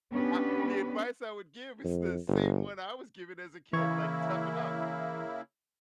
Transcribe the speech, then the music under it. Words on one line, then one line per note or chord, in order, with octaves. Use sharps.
uh, the advice I would give is the same one I was given as a kid, like, "Toughen up.
B3 C#4 D4 G4 B4
F2
G1
C#3 E3 A#3 E4 C#6 G#6